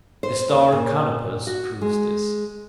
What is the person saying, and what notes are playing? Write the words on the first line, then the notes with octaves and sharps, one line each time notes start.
The star Canopus proves this.
C5
D#2
A#2
F#4
G#3